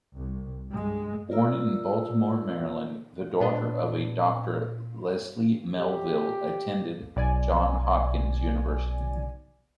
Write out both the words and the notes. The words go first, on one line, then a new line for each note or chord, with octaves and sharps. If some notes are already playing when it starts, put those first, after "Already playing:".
Born in Baltimore, Maryland, the daughter of a Doctor, Leslie-Melville attended Johns Hopkins University.
C2
G2 G#3
F4 A#4 D5 E5 A#5 E6
A#2 B3 D4 D#5
G4
B1 D5 G#5